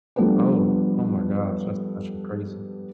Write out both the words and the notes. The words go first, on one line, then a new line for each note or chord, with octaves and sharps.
Oh, oh my gosh, that's actually crazy.
F3 G3 B3 D4 A4 B4